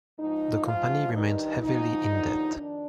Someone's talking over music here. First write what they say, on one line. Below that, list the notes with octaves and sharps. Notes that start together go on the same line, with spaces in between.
The company remains heavily in debt.
G#2 F3 D#4
G#2 F3 F4
G2 D#3 D#4
G#2 F3 D#4
D#2 D3 F3
F2 D#3 D4